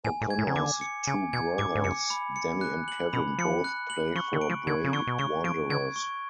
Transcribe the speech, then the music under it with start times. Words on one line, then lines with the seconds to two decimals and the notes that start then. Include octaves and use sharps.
O'Connor's two brothers, Danny and Kevin both play for Bray Wanderers.
0.04 A2 G#5
0.21 A2
0.30 G#6
0.39 A2
0.47 C#3
0.56 D3 D6
0.81 C#7
1.07 C#3 G#5
1.33 B2 G#6
1.58 G#2 D6
1.75 G#2
1.84 F#2 C#7
2.10 B5
2.36 C#7
2.61 F#6
2.88 F#7
3.13 B2 B5
3.38 F3 C#7
3.64 F#6
3.90 F#7
4.15 F3 C#6
4.33 D3
4.41 D7
4.50 F3
4.67 D3 G#6
4.84 C#3
4.93 D3 C#6
5.07 B2
5.19 C#3 C#6
5.44 F3 D7
5.70 D3 G#6
5.96 C#6